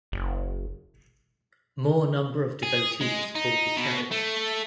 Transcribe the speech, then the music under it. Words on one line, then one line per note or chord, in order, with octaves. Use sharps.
More number of devotees pulled the chariot.
F#1
G#4
G#3
D#4
B2
A3